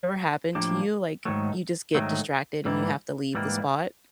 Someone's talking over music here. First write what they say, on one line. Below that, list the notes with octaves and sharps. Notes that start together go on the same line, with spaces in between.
ever happened to you? Like, you just get distracted and you have to leave the spot?
A2 F3 A#3 D4 G4
G#2 D#3 F#3 A3
G#2 D#3 F#3 A3
G#2 E3 G3 A#3
G#2 E3 G3 A#3